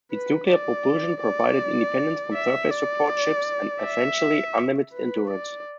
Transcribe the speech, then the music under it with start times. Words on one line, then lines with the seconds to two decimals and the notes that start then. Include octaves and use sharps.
Its nuclear propulsion provided independence from surface support ships and essentially unlimited endurance.
0.12 B4
0.49 D5
1.23 D5
2.34 E5
2.71 D5
3.82 E5
4.93 B4
5.30 D5